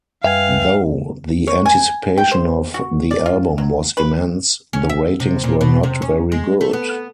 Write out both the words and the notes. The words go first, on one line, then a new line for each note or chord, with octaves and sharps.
Though the anticipation of the album was immense, the ratings were not very good.
F#2 G3 B4 E5 F5 G5 G#5 F7
C#5
G#5
G5
C5
F#4
D5
F4
F#3
B4
C#4
E5
C3
A#2
B2
C3
C#4
G#3
A3
B3